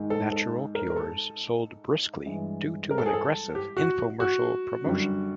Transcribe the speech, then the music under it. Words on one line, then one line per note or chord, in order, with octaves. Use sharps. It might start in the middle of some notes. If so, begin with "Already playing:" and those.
"Natural Cures" sold briskly due to an aggressive infomercial promotion.
Already playing: G#2 D#3 G#3
A4
A4
A#4
A#4
A4
G2 E3 G#3
A#4
A4
G#4
A4
G4
F#4
F#4
F#2 D3 G3